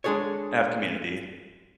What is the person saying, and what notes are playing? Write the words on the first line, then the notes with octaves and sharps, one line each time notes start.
I have community.
G#3 D4 G#4 A4 C#5